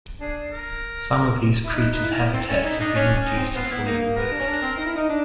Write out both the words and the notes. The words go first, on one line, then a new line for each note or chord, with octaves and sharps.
Some of these creatures' habitats has been reduced or fully removed.
D4 G#4
A#4
E4
D#4 B4
D#4 B4
E4
A#4
B3
C4 A4
C#4 A4
D#4 E4
D4 D#4
C#4 D4
C#4
D#4
C4
B3 F4
C4
B3 E4
A#3 D#4
B3 A#4
D4
C#4
D4
C4
D#4
E4
D#4
D4